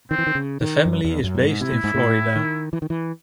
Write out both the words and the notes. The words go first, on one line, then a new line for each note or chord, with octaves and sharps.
The family is based in Florida.
D#3 C4
E3
D#3
C#3
D#3
F#2
E2
F#2
A2
G#2
C3 E4
A2
G#2
A2
D#3
E3
D#3
E3